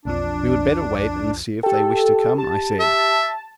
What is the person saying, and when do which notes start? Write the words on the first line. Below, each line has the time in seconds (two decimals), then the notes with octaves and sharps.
"We would better wait and see if they wish to come," I said.
0.05 B1 F2 F3 D4
1.63 G4 A4 G5
2.38 G4 A5
2.80 E5